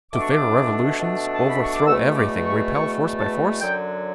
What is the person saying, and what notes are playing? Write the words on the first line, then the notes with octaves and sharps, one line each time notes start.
To favor revolutions, overthrow everything, repel force by force?...
B2 A3 D4 D6
C#6
D6
B2 A3 D4
A5
B5
C#6
D6
E2 B2 A3 E6
D6
C#6
E2 B2 A3 C#6
A5
F#2 D3 F#3 G5